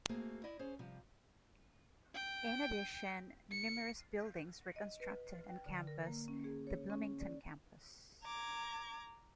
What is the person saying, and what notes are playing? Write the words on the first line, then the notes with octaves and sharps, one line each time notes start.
In addition, numerous buildings were constructed on campus the Bloomington campus.
A3 A#3 C4 F#4 G#4
E4 D5 D#5
C#4 G#4 C5
C3 F3 G3
G5
C#7
D#5
B4
G5
D3
A#4
A#3
C#4
G#4
C#5
C#4
D5
A#5 D6 G#6